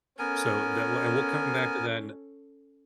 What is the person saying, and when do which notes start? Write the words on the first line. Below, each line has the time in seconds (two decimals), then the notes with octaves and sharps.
So that will and we'll come back to that in a
0.19 B3 C#4 A4 A#4 G#5